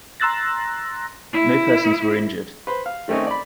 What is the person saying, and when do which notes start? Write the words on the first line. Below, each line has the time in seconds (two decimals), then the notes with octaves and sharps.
No persons were injured.
0.20 A#5 C6 E6 F#6 A6 A#6
1.33 E4
2.67 B4 C5
2.86 F5
3.08 D#3 A3 C4 C#4 D#4
3.27 D5 B5